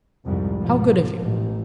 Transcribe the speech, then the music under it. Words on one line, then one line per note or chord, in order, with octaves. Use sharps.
How good of you!
C2 F2 G#2 G3
G#2 B2 F3
A1